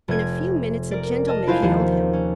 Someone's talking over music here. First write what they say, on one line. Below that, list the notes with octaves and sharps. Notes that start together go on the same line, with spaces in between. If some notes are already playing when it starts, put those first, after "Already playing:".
In a few minutes a gentleman hailed him.
F1 G#6
A#4 D5
D#5 A5 F6
D4 E4 F4 C5 F5 G#5
D#2 F3
C#4